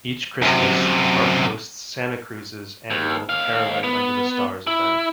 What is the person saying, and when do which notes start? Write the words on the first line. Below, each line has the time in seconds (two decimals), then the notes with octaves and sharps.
Each Christmas the park hosts Santa Cruz's annual "Caroling under the Stars" event.
0.42 F#2 C3
2.91 D#2
3.29 D#2 F5
3.84 B3
4.67 E4